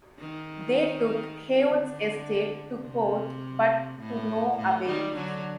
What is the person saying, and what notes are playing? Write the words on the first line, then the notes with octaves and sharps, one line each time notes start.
They took Haywood's estate to court, but to no avail.
D#3
D3
C3
A2
A2
D#3 G3
D3 F#3